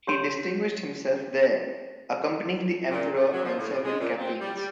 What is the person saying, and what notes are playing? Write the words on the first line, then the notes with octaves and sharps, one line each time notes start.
He distinguished himself there, accompanying the Emperor on several campaigns.
G4 C#5 C6
A#2
A3
F#3
F3
A2
C3
G#3
A#2
C4
G3
G3